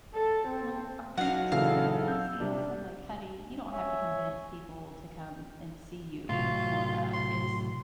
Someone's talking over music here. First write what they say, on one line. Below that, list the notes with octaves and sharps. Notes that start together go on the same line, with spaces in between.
"Well, are people still gonna come see us?" I'm like, "Honey, you don't have to convince people to come and see you in Florida, it's"
A4
C4
F#3 D#4 F#4 F5 F#5
A#1 C#3 E3 A4 F5
E6 G6
C3 G3 D4
C#5 E5 G#5
A2 C3 F#3 F4
C6